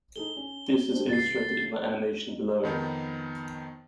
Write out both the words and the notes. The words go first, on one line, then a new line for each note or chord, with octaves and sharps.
This is illustrated in the animation below.
D#4 G#4 A4 G7
C#4
C4 D4 F4
C#2 A6 C7
F2 D#3 B3 D#4